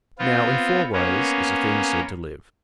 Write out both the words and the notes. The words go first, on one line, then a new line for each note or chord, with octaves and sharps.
Now, in four ways is a thing said to live.
B3 C4 F4
A#3 B3 C#4